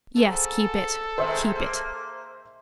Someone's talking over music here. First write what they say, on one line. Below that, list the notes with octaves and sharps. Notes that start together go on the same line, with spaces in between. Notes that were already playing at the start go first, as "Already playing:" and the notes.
"Yes, keep it--keep it."
G#2 A4
D#3 G#3 C5 E5
A#3